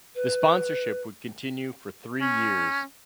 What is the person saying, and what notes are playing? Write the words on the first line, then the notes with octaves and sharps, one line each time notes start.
The sponsorship would continue for three years.
B4
C#4